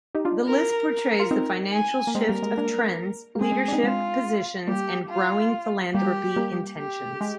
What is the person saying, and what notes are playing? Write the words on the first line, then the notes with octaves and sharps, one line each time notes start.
The list portrays the financial shift of trends, leadership positions, and growing philanthropy intentions.
D#4 G4
D4 F4
A#4
A#4
F4
C4 D#4
G#5
A#3
G#3 C4 A#4
G3 A#3
G#3
A#3 D4
A#3
G#3 C4 G#4
G#3 C4
D4
C4 D#4
G#3 C4 F4
G3 A#3 G4
F4
G3 A#3 G4
G3 A#3
G4
G#3